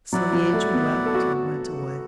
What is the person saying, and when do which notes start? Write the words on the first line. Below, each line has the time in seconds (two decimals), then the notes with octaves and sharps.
So the angel wept and went away.
0.13 F#3 E4 D5 F#5
0.33 F#3
0.53 A3
0.73 B3
1.06 A4
1.14 F#4